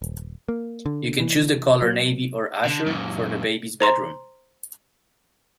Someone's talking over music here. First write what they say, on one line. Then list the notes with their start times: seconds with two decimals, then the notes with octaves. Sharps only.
You can choose the colour Navy or Azure for the baby's bedroom.
0.02 D#1
0.49 A#3
0.86 D3
1.20 E3
1.82 F#3
2.65 D3
2.86 F#2 A#2
3.80 C5 A#5 C6